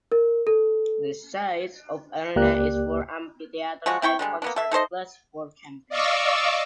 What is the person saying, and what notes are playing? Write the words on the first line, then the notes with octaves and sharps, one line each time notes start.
The size of the arena is for amphitheater-type concerts plus for camping.
A#4
A4
C#2 A#3 G4 D5 F#6
F3 F#3 G#3 F#4
C4 E4 G5 C#6
D3 G3 G#3
A#3 B3 D4
A4 E5
D#4 A4 C5 D#5
D5 D#5 F5 C#6 D6 E6